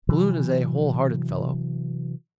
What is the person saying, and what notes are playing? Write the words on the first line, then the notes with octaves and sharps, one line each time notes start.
Balloon is a whole-hearted fellow.
C3 E3 F#3